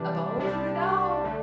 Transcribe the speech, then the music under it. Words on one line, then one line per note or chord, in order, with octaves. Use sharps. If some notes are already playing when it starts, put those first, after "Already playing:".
A bone for the dog?
Already playing: C3 E3 G3 D4
C2 C3 G3 D4
D3 A3